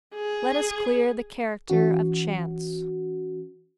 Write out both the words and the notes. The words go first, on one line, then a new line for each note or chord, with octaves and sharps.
Let us clear the character of chance.
G#4
E3 C#4 F#4